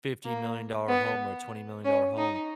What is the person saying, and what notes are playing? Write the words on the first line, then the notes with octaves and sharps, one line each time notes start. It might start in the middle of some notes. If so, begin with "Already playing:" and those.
fifty-million-dollar home or a twenty-million-dollar home.
A#3
B3
C#4
D#4